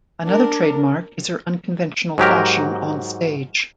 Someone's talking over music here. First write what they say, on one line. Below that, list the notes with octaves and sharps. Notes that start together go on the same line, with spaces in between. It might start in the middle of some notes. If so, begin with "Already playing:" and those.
Another trademark is her unconventional fashion on stage.
D4 A#4
G#2 F#3 G4 A#4